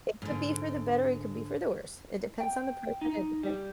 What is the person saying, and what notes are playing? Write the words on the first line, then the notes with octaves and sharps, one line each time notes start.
It could be for the better, it could be for the worse. It depends on the person, it depends
G#2 D3
G5
D#4
G3